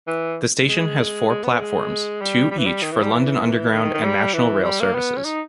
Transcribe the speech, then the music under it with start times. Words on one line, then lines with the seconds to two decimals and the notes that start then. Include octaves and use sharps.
The station has four platforms; two each for London Underground and National Rail services.
0.08 E3
0.68 G#3
1.30 G#3
1.44 B3
1.59 G#3
2.21 G3
2.51 G3
2.58 E3
2.66 G3
2.82 D#3
2.92 E3
3.02 G3
3.13 E3
3.72 D#3
3.83 D#3
3.94 D#3
4.03 G3
4.34 E3
4.64 G3
4.80 A#3
4.95 B3
5.17 C#4
5.25 D#4